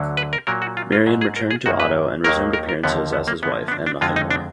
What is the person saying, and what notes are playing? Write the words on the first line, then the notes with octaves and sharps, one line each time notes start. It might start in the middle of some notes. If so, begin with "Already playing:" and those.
Marion returned to Otto and resumed appearances as his wife, and nothing more.
Already playing: D2 D3 F#3
B4
A#4
A#2 F#3 A#3 A#4
F#4
F4
F4
G#2 F#3 A#3 G#4
G#4
A#4
G#4
F#2 D#3 A#3 F#4
B4
D#2 D#3 F#3 A#3 A#4
A#4
A#4
D#2 D3 F3 A#3 B3
B3
A#3
F#2 D3 F3 A#3 B3
B3
D4
D4
F2 D3 G#3 F4
D#4
D4